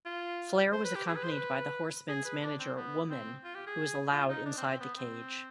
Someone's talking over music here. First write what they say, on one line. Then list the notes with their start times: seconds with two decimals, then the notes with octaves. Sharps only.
Flair was accompanied by the Horsemen's manager Woman who was allowed inside the cage.
0.05 F4
0.72 C5
0.84 B4
0.95 G4
1.07 G#4
1.15 B4
1.24 C5
1.32 B4
2.08 G#4
2.25 B4
2.43 D4
2.59 C4
2.76 B3
3.10 C4
3.44 F4
3.55 G4
3.67 G#4
4.12 F4
4.29 D#4
4.46 D4
4.57 C4
4.68 C4
4.80 B3
4.97 C4